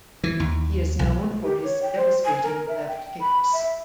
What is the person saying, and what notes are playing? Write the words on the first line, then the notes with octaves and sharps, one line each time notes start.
He is known for his devastating left kicks.
E3
D#2
B1
G4
C#5
G5
C5
G#5
A#4
E5
G5
B5
E5